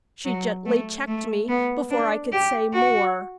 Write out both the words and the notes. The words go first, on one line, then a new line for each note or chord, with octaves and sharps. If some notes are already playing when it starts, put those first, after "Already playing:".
She gently checked me before I could say more.
F#3
A3
A3
B3
D4
G4
F#4